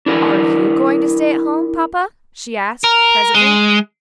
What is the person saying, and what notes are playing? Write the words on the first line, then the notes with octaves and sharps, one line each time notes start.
"Are you going to stay at home, papa?" she asked presently.
D4 E4 A#4 D5
A#4
G#3